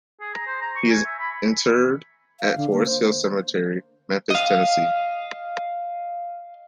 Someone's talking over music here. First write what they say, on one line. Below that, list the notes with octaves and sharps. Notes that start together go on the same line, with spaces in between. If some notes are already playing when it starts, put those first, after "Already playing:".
He is interred at Forest Hill Cemetery, Memphis, Tennessee.
G#4
A#5
C5
A#5
C#6
G#5
E5
B5
F5
D3
A#3
C5
D#5 F5